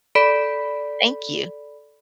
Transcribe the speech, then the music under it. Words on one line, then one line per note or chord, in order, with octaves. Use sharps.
thank you.
A4 D5 B5 B6